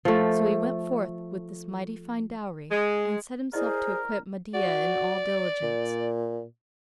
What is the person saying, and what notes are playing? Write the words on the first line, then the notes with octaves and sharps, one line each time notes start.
So he went forth with this mighty fine dowry and set himself to equip Mahdiyah in all diligence.
F3 A3
G#3
E4 G#4 A#4 C5 D5 D#5
F#4 D5
A#2